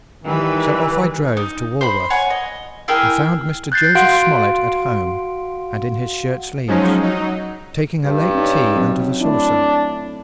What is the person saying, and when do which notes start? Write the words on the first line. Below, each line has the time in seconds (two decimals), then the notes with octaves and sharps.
So off I drove to Walworth, and found Mr. Joseph Smollet at home and in his shirtsleeves, taking a late tea out of a saucer.
0.24 D#3 E3 G3 B4
1.37 D#4
1.81 C5 B5
2.10 C#5 F#5 G#5
2.30 D#5
2.88 E4 G#4 A#4 G5
3.72 F#6 G6 A6 C7
3.95 F#4 F5 F#5 C6 D7
6.68 F3 F#3 G#3 C#4 D#4
7.03 F#3 D#4
8.05 G2
8.35 C#4 D#4
8.76 F#3 C4
9.21 A3 D4 E4